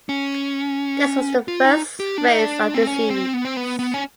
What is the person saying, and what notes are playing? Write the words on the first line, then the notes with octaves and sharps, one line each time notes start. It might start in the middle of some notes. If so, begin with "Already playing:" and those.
This was the first race of the series.
C#4
F4
D#4
G4
D4
D#4
D4
C4
C#4
C4
B3
C4
B3
B3
C#4